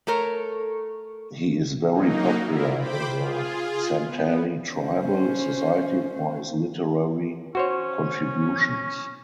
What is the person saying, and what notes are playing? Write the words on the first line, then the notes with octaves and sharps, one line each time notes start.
He is very popular in the Santali tribal society for his literary contributions.
A3 A4 A#4 C#5
F#3 A#3 D#4
E4 F4 A#4
C5 G5 B5 D6
F4 G#4
B3
C#4 C5
C#4 F#4 C5 C#5